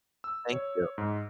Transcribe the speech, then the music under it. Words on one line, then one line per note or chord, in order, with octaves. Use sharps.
Thank you.
E6
C#5
G#2